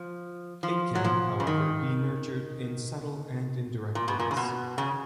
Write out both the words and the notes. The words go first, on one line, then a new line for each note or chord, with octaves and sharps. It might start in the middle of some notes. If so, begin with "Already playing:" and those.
It can, however, be nurtured in subtle and indirect ways.
Already playing: F3
F3
F#3
F3
C#3
D#3
A#2
B2
A#2
C#3
B2
C#3